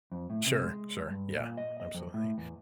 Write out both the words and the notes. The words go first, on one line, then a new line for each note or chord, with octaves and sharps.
Sure, sure, yeah, absolutely.
F2
A2
C3
G#3
G2
A#2
D#5
D#5
F2
A2
E2